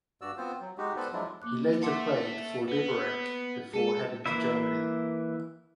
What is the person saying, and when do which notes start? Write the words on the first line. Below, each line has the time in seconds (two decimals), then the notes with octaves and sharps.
He later played for Liberec before heading to Germany.
0.22 G2 F#4 D5 E6
0.38 B3 C4 F4 C5
0.61 F#3
0.78 G#3 D#4 F#4 G4
0.96 B3 A4 B4 C5 D5
1.13 F3 F#3 G#3 D4 E4 F4
1.42 A#3 D6 F#6
1.83 A4 E5 F#5 C6 D6
2.68 B3 B4
3.73 G#3 G#4 A4 D#7
4.26 E3 A#3 E4 E5